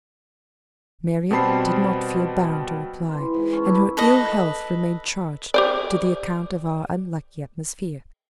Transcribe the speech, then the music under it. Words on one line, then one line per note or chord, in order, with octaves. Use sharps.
Marian did not feel bound to reply, and her ill health remained charged to the account of our unlucky atmosphere.
B2 G3 C4 A5 B5 C7
E3 C6
G#2
C#4 A5
D4 E4 B4
A4 B4 D#5
G4 C5 D5